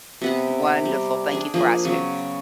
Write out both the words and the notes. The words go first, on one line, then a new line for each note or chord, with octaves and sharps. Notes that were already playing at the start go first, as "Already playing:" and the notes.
Wonderful, thank you for asking.
C3 B3 F#5
G3
D4 G#4
F3 A#3 G#4
C#3 F#3 B3